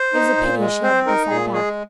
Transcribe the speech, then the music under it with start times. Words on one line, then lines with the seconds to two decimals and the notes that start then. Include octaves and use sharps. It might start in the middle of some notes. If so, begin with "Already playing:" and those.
It was a pity she had to be sent back.
Already playing: C5
0.14 D#4
0.37 A#2
0.60 G#3
0.83 C4 C5
1.06 D#4 A#4
1.29 A#2 G#4
1.53 G#3 G#4